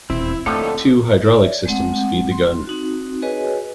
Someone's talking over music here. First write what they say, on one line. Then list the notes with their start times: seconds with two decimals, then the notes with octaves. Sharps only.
Two hydraulic systems feed the gun.
0.10 D#1 E2 C4 E4
0.46 D3 F3 A3 A#3 C4 D#4 G4 C#5
1.25 C#5 D5 E5
1.66 G#3 A3 C4 F#5
2.31 C6
2.67 C4 D#4 F#4
3.22 F#4 G#4 B4 C#5 D#5 G#5